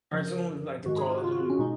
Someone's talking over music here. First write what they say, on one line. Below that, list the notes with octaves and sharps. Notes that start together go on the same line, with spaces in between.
cartoons is like the Call of Duty
F#2 C#3 F3 A#4
G#2 D#3 G#3 F#4
G#4
F4
F#4
F4
F#4
F4
C#4
B2 G#3 D#4